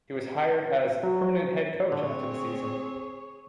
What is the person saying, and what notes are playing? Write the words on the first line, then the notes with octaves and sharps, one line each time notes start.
He was hired as permanent head coach after the season.
F#3
D3 C4 G#4 C#5